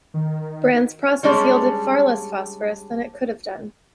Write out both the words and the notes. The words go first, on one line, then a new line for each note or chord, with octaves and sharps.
Brand's process yielded far less phosphorus than it could have done.
D#3
G3 G#3 C#4 D4